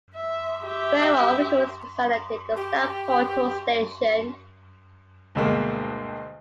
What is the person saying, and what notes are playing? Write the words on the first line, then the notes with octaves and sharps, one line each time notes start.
Railroad officials designated the stop Hutto Station.
E5
G4 E5
G4
D2 G2 B2 G#3 A#3